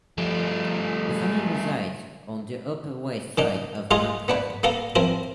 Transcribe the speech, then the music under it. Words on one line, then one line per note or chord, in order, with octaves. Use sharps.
The family resides on the Upper West Side of Manhattan.
F3 G3 A3
D#3 D4 D#4
G#3 D#4 F4 G#4 D#5
B3 D4 B4
A#3 B3 A4 A#4 F5
F3 C4 E4 A#4